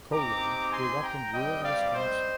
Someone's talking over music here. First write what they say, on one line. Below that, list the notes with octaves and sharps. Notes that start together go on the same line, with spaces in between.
Koehler grew up in rural Wisconsin.
C4 D#4 G4 A#5 D6
G#5 C6
G5 A#5
G3 C4 G4 D#5 G5
D5 F5
C5 D#5